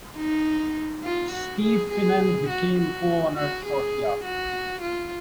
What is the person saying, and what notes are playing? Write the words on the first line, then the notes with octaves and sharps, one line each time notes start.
Steve Finan became co-owner shortly after.
D#4
F4
F#4
G#4
G#4
F#4
F#4
F#4
G#4
F#4
F4